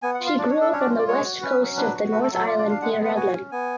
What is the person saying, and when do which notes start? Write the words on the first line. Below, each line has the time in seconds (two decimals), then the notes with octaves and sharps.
She grew up on the west coast of the North Island near Raglan.
0.02 B3 G#5
0.14 F#5
0.20 F4
0.26 F5
0.38 D4 D5
0.50 C#5
0.55 D4
0.61 A4
0.73 C#4 C#5
0.81 D5
0.90 F4
0.98 D5
1.07 G#3 C#5
1.24 F#4
1.42 C#4 B4
1.59 F#3
1.77 D4 B4
1.94 F#4
2.11 A3 B4
2.23 A4
2.29 F#3
2.35 A4
2.46 F4 D5
2.59 D5
2.64 D4
2.70 F5
2.82 G#3 F#5
2.93 F#5
2.98 B3
3.05 F#5
3.16 F#4 G#5
3.33 C#4
3.52 B3 G#5